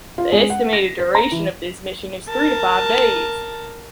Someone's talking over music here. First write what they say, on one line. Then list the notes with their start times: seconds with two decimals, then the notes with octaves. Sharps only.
The estimated duration of this mission is three to five days.
0.18 F4
0.32 G#3
0.50 F#5
0.73 A#6
0.99 C5
1.15 A#5
1.32 E3
2.30 A#4 A5